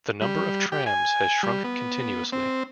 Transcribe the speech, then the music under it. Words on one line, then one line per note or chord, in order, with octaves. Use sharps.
The number of trams has shrunk continuously.
G3
G4
G#5
G3
B3
C4